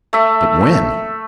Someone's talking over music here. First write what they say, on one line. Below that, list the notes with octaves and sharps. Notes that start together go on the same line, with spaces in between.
"But when?"
A3 E5